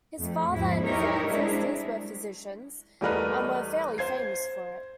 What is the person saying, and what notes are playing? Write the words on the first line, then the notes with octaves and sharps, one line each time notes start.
His father and his ancestors were physicians and were fairly famous for it.
F2 A3
E2 G#2 F3 G#3 E4
D#4 E4 G4 A#4 C#5 E5
G3 G#3 C4 D4 E4 G#4
E2 G3 A3 A#4 B4 D#5
C5 G#6 C7